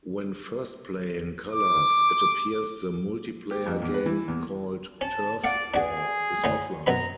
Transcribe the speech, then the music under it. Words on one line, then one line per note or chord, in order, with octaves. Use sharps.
When first playing "Colors", it appears the multiplayer game, called "TurfWar", is offline.
D6
G4
F2
E2
B4
E3
E2
C#4 A5
D5 F5 F#5
D4 F#4 G#4
A2 D3
F#2 B2 A#5 B5